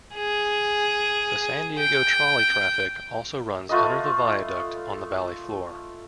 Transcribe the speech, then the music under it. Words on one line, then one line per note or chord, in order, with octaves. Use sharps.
The San Diego Trolley traffic also runs under the viaduct on the valley floor.
G#4
G5
A3 F4 B4 D#5